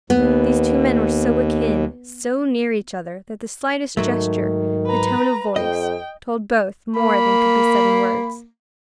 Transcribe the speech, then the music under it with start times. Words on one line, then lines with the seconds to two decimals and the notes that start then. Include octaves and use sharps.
These two men were so akin, so near each other, that the slightest gesture, the tone of voice, told both more than could be said in words.
0.10 D#2 B3
3.97 G#2 D#3 F#3 A3
4.86 B4 A#5
5.56 F2 D#5 G5
6.96 A#3 B5